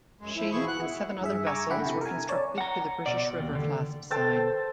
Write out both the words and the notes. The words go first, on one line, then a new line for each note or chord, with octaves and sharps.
She and seven other vessels were constructed to the British River-class design.
F#2 G#3
F3 E4
B2 E3 F3 E4 G#4 C#6
F#5 F#6
E4
G2 G#4 E5
G#5 A#5 C#6 D6 E6
D3 E4 F#5 G5 B5
C3 E4 A4
A#4 G#5
C#5 D5 A5
F#5 A#5
B2 D5
D#2
D3
A4 C5 G5 A5